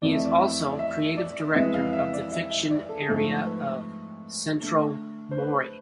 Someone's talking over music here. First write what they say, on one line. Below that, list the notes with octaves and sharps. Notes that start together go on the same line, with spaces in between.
He is also creative director of the fiction area of "Centro Mori".
F2 E3 A3 E4 D5
E5
D5
E5
D5
E5
D5
F2 E3 G#3 B3 E4 E5
F5
E5
D5
E5
E5
D5
A4
G#4
G#2 F3 A3 A4
B4
D3 A3 D4
C5
B4